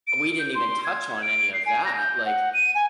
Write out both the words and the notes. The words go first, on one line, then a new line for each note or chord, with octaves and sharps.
We didn't even touch on any of that. Like,
D7
G6
C6
G#6
D7
C7
G#5
A#6
G6
F#5
D#7
G#5